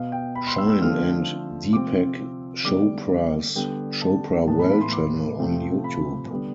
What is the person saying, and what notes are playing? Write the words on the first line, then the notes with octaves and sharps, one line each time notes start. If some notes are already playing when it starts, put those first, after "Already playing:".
Shine and Deepak Chopra's Chopra Well channel on YouTube.
Already playing: B2 B3 F5
G5
B5
C6
E6
E6
D3 F3 A3 C4 F6
C3 F3 C4 D6
D3 G3 B3 D6
D3 G3 B3 G5
A5
A2 E3 B3 A5
B5
B5
C6
D6
C3 F3 A3 C4
B5
D3 G3 B3